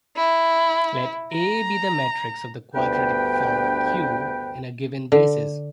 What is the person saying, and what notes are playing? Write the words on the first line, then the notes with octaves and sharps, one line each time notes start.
Let "A" be the matrix of the quadratic form "q" in a given basis.
E4
A#5
D2 G2 B3 B4 G5
D3